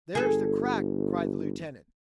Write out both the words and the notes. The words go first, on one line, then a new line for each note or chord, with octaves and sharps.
"There is the crack!" cried the lieutenant.
G1 G#4 A4